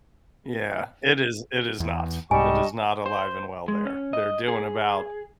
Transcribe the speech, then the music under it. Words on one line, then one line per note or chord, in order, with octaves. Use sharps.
Yeah. It is it is not, it is not alive and well there. They're doing about,
E2
C2 G#2 G3 D#5 G#5 A5 C#6
C5
G#3
C#4
D#5
G#4